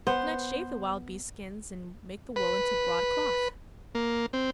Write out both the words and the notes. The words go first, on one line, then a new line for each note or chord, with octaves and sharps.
And I'd shave the wild-beast skins and make the wool into broad cloth.
B3 C5
B4
A#3
C4